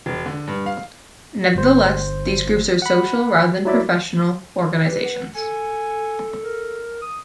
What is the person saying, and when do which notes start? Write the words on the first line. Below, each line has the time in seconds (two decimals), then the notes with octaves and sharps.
Nevertheless, these groups are social, rather than professional, organizations.
0.06 E1
0.26 D3
0.47 G2
0.66 F5
1.55 G1 C5
2.82 F#5 B5
3.65 F#3 E4 D5 E5
4.86 G4 B4
5.05 F#5
5.35 A4 G#5
6.42 A#4
7.02 D#6